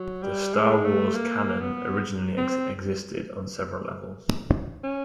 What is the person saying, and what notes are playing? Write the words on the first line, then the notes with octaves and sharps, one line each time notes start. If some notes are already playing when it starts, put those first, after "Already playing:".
The "Star Wars" canon originally existed on several levels.
Already playing: F#3
G3
G#3
A3
A#3
B3
C4
C#4